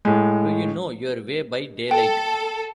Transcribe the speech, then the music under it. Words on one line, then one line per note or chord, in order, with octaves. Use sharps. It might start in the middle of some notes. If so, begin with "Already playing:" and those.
Do you know your way by daylight?
A2 G#3
A4 G5